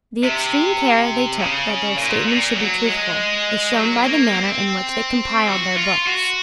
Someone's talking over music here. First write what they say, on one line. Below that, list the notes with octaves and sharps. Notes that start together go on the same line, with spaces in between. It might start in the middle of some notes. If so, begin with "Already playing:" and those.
The extreme care they took that their statements should be truthful is shown by the manner in which they compiled their books.
C3
C#3
A#2
A#2
F#3
G#3
F#3
A#3
C4
F#4
F4
F#4